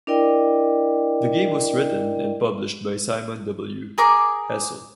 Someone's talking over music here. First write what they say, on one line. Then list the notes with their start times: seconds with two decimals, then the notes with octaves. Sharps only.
The game was written and published by Simon W Hessel.
0.07 D4 E4 A#4 D5 D#5 G5
3.98 G#4 A#4 D6